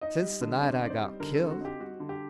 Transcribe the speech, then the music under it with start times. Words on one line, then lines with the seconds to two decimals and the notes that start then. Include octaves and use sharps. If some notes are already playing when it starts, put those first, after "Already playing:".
"Since the night I got killed."
0.01 D#4 D#5
0.22 G3
0.41 D3
0.61 C4 D5
0.81 D#4 D5
0.90 C5
1.01 G3
1.20 D3 A#4
1.35 A4
1.40 C4
1.50 F#4
1.61 D#4 G4
1.80 G3 F#4
2.00 D3
2.09 G4